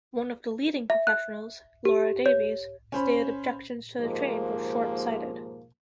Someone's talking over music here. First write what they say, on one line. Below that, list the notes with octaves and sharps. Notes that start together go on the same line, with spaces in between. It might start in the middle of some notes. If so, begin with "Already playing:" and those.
One of the leading professionals, Laura Davies, stated objections to the change were shortsighted.
E5
F#6
G4
C#5
C#4 C5 B5
D#2 G#2 F3 A#3